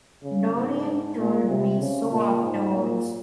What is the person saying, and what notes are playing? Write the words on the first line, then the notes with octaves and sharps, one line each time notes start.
Dorian told me so afterwards.
C#3
G#2
A#2
C3
C#3
A#2
G#2
A#2